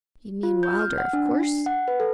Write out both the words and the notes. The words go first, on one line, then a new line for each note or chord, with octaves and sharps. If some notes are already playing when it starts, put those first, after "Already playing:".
You mean Wylder, of course?'
F4
G6
F6
F#5
D4
D4
C7
F#5
B4
A4